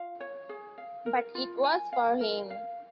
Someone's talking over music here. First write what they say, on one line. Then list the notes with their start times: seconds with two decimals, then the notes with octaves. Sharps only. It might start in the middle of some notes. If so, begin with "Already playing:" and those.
But it was for him.
Already playing: F4 F5
0.20 C#5
0.49 G#4
0.78 F5
1.06 A#4
1.35 F4
1.64 G#5
1.93 F5
2.21 A#4
2.50 F5